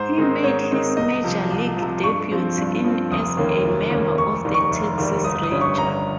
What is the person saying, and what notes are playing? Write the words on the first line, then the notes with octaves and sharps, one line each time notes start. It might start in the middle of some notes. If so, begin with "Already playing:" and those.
He made his Major League debut in as a member of the Texas Rangers.
Already playing: G#2 C5
D#3 G#3 C4 D#4
G#2 C#5
D#3 G#3 C4 D#4
C2 D#5
C3 F3
C2
F3
C3
G2 C#6
F3 C4
G2
F3 C4
F1 D#6
D#2 D#3 A#3 C#4
F1
D#2 D#3 A#3 C#4
F1 C#6
D#2 D#3 G3
C#6
F1
D#2 D#3 G3
G1 D#6
D#6
G2 G3 C#4
C#6
G1 A#5